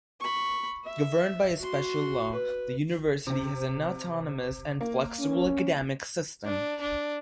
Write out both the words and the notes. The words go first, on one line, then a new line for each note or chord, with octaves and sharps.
Governed by a special law, the university has an autonomous and flexible academic system.
B5 C#6
E5
F#4 C6
B4
C3 C4
A#3
C#4
D4
D4